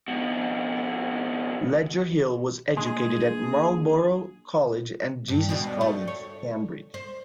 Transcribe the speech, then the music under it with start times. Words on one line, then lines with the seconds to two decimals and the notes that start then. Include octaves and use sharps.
Ledger Hill was educated at Marlborough College and Jesus College, Cambridge.
0.08 F2 B2
2.77 G#3 A#3 D4 G#4
5.28 G2
5.49 B2 C4 D4
5.81 A3
6.08 C#5
6.94 C5